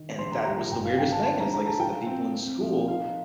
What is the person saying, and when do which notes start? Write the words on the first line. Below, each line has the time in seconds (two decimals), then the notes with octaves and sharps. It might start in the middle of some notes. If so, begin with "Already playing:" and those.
and, eh, that was the weirdest thing, is, like I said, the people in school
Already playing: D#3
0.19 A#1 C6
0.32 A#5
0.45 G3 A#5
0.59 A#5
0.71 G1 G5
0.85 F5
0.99 D3 G5
1.12 A5
1.26 D4 A5
1.40 A#5
1.54 A3 A#5
1.66 A5
1.80 F4 G5
2.06 C4
2.34 C4
2.61 F3
2.88 D#4 F5